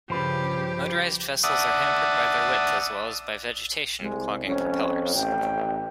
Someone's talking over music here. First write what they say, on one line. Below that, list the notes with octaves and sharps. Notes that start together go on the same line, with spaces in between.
Motorised vessels are hampered by their width as well as by vegetation clogging propellers.
G2 C#3 F3 G3 G4 B4
D5 E5 F#5 A5 D#6
C2 G#3
F2 C#4
A1 G5